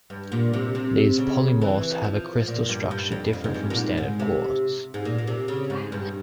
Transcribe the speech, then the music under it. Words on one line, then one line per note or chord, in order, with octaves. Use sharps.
These polymorphs have a crystal structure different from standard quartz.
G2
A#2
C3
C3
C#3
E3
F3
A#2
G2
G2
F2
F2
G#2
G2
A#2
G#2
G#2
C3
G#2
A#2
A#2
C3
C#3
G#2
G2